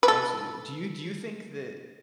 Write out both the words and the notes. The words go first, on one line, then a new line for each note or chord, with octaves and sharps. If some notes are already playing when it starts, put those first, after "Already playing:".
Absolutely. Do you do you think that
B4
A4